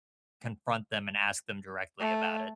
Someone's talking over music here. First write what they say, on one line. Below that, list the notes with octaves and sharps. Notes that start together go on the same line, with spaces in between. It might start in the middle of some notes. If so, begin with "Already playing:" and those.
confront them and ask them directly about it.
A3